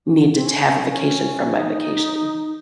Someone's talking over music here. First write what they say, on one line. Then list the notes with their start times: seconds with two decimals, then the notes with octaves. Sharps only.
need to to have a vacation from my vacation.
0.35 C4
0.45 C#4
0.90 C#4
1.55 D#4